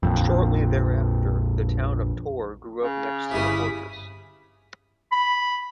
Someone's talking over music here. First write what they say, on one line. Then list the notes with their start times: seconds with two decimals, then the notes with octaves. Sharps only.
Shortly thereafter, the town of Tor grew up next to the fortress.
0.03 A#1 F2
2.83 C#3
3.31 G1 C3 C#4 E4 B5 D#6 B6
5.12 B5